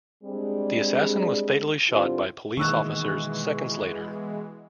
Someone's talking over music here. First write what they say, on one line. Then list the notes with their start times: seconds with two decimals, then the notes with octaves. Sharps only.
The assassin was fatally shot by police officers seconds later.
0.24 G3 G#3 C4 D4 G#4
1.89 D3 C4 E4 F4 G4 C5
2.57 B2 D#3 E3 G#3 A#3 C#6 E6 F#6